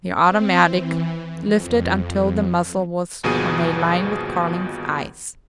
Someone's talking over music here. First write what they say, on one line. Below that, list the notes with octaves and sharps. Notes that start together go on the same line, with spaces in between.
The automatic lifted until the muzzle was on a line with Carling's eyes.
C4
E3
F2
G1 D#2 B2 F3 G#4 D#7